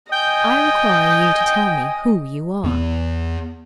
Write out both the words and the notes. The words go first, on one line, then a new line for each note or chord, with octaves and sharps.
I require you to tell me who you are.'
D#5 G5 G#5 G6
E2 B3